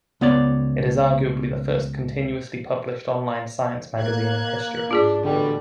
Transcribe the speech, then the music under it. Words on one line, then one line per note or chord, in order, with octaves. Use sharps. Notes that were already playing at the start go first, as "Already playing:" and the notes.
It is arguably the first continuously published online science magazine in history.
C#2 B3 C#5 D5
A#3 F#6 G#6
G#2 D4 F4 G#4 D5
A1 B2 D3 G3